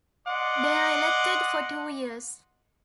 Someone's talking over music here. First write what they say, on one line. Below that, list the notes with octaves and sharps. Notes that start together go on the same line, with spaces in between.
They are elected for two years.
D5 D#5 F#5 C6 D6